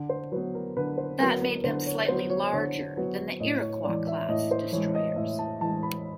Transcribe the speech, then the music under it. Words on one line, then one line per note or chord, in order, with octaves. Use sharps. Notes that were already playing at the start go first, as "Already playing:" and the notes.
That made them slightly larger than the "Iroquois"-class destroyers.
Already playing: D3
C5
F#3 B3 B4
A#4
D3 B4
C5
F#3 B3 A#4
B4
D3 C5
C#5
F#3 B3 C5
C#5
D3 C#5
F#3 B3
A2 D#5
C#5
E3 G#3 D5
E5
A2 D#5
C5
E3 G#3 C#5
D#5
A2 E5
A5
E3 G#3 A5
B5